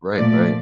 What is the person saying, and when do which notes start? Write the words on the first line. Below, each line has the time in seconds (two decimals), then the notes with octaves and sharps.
Right, right.
0.17 A#2 F3 A3 D5